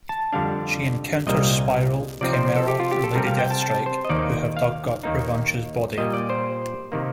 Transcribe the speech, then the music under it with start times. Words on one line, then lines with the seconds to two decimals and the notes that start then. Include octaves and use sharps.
She encounters Spiral, Chimera and Lady Deathstrike who have dug up Revanche's body.
0.09 A5
0.32 F2 D3 G3 D4 F5
1.27 C2 A#2 G3 A#3 D#5
2.21 C3 F3 C4 D#4 D5
2.33 C5
2.56 A4
2.68 G4
2.80 F4
2.91 G4
3.04 A4
3.15 C3 G3 C4 A#4
3.27 F5
3.39 G5
3.50 A5
3.62 A5
3.86 C5
4.05 D#5
4.09 D#2 D#3 A#3 D#4 D5
4.57 F5
5.03 D#2 D#3 A#3 D#4
5.98 A#2 G3 A#3 D#5
6.14 D5
6.29 C5
6.92 C3 D#3 A#3